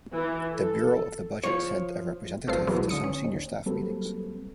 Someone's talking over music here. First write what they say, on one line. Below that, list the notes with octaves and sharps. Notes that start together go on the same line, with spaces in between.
The Bureau of the Budget sent a representative to some Senior Staff meetings.
E3
A4
F3 C#5
G1 A3 C4 F4 A5 C7
C2 B2 E3 F#3 G#3 B3
D3 D#6 C#7
C#4
D#2
F#3 G3 A#3 C4 A4 B4